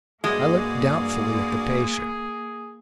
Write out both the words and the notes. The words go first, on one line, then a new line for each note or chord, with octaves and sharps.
I looked doubtfully at the patient.
G2 G#3 A#3 F#4 G#4 D5